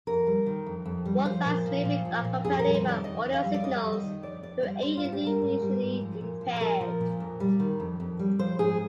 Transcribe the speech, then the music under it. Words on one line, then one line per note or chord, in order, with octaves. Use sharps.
Walk lights may be accompanied by audio signals to aid the visually impaired.
F2 A#4
G3
D#3
F2
F2
G3
F3 C5
A#2
F3
A#2
F3
A#2
F2 G#4
A#4
G3
C5
D#3 D5
F2 D#5
F2
F5
G3
D5
F2 D#5
G3
D#5
D#3
F2 D5
F2 D5
G3 C5
G3 C5
F4
G#2
G4
G3 A#4
G#2
G3
G#2
F3
A#2
F3
A#2 A#4
F3
A#2
F2
G3
D#3
F2
F2
G3
F3 C5
G#2 G#4